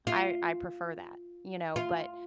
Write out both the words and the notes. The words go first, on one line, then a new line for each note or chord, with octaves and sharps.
I I prefer that. You know? But,
F4
F4